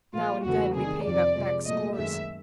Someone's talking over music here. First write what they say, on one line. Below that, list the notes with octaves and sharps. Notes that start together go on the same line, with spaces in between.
Now and then we paid up back scores.
A#2 F3 G#3 F4
E2 C#3 E3 A3 F#4
C3 D#3 G3 G#4
F2 C3 F3 D5
C3 F3 G#3
A#2 F#3 A3 D#5
F#2 D#3 G#3 E5